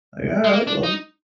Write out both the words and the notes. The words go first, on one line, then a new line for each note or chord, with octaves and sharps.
like, "Alright, well"
G#3
A#3
D4
D#4